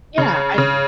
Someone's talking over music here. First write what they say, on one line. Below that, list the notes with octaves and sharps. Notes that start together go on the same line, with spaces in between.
Yeah, I
C#3
C#3